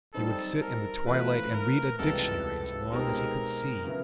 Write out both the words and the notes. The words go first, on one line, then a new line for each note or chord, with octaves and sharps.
He would sit in the twilight and read a dictionary as long as he could see.
G3 C4 D#4 A4
A#4
E3 A3 C4 F4 B4
A#4
C#2 C3 E3 G3 B3 A4
A4
B2 G#3 C4 D#4 G4 A#4
C#3 F#3 B3 E4